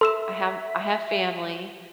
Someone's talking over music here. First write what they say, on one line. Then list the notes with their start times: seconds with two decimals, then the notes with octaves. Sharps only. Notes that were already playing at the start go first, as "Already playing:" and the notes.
I have I have family,
0.01 A4 E5 C6 E6 E7